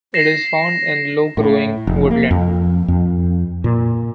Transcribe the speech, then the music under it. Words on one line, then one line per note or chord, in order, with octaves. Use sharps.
It is found in low-growing woodland.
A#6 C7 E7
A2
F1
A#3
F2
F2
A#2